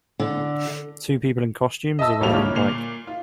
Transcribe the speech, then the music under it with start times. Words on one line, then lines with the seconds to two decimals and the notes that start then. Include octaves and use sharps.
Two people in costumes are riding a bike.
0.20 D3
1.99 D#5 E5 A5 E6
2.20 E1 C2 A#2 G3 F4 F7
2.33 A#2 D3 C#5 F6
2.55 A#2 C7 F7
3.07 F4